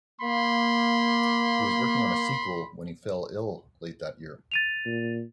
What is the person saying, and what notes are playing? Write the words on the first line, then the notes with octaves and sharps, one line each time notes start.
He was working on a sequel when he fell ill late that year.
A#3 B5 C6
A6 D#7 F7
A#2